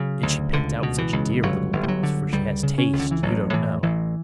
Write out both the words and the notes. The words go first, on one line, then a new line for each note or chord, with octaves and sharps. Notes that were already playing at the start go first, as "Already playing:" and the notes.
And she picked out such dear little boots, for she has taste, you don't know.
Already playing: C#3 F#3
D2
C#2 D3
B2
E3
C#2
G1 F#3
G1
G3
F#3
D3
C#2 G3
C#3
C#4
C#2
D3
E3
A1 F#3
A2 E3
A1 E3